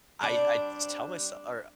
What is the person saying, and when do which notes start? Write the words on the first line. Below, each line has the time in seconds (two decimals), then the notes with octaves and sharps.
I I just tell myse or
0.21 G3 C4 D4 D5